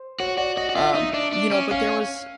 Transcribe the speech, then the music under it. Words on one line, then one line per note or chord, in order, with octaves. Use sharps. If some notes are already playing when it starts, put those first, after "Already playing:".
um, you know? But there was,
Already playing: C5
F#4 C#5
F#4 D5
F#4 D#5
F#4
F4 E5
D#4
D4
D4
C#4
C#4 F5